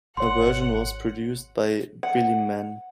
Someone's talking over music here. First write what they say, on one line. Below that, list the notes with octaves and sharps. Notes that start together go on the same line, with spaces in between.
Her version was produced by Billy Mann.
G#1 C#5 F#5 C6
F#5